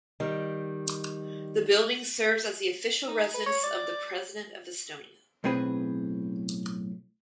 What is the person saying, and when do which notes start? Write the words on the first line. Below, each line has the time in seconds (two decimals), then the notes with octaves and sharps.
The building serves as the Official residence of the President of Estonia.
0.20 D#3 G3
3.08 D#4
3.34 B4
3.46 C#5
3.64 D5
5.44 B1 A2 C4 G#4 B4